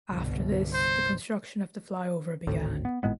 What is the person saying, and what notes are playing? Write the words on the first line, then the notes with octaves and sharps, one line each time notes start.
After this the construction of this flyover began.
G1 C2 B2
C5
G#1 D2 A2
B3
G#1 A2 G#3 B3